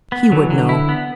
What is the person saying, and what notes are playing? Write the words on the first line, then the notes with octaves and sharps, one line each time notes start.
He would know.
B3
D3 F#3
E3
F#3
D3
E4
B3